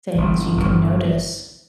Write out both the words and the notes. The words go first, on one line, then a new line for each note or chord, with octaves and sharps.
things, you can notice
G1 G2
G1 G2